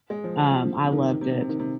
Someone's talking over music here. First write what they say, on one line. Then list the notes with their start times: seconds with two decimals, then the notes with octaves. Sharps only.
Um, I loved it.
0.10 G#3
0.24 F3
0.37 G#3
0.51 F3
0.83 C3
0.92 D#3
1.02 C3
1.11 D#3
1.21 C3
1.31 D#3
1.41 C3
1.49 D#3
1.59 C3